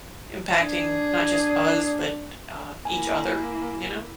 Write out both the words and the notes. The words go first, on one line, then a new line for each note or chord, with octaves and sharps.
impacting, not just us, but, uh, each other. You know?
D4 G#4
A#3 E4 G#5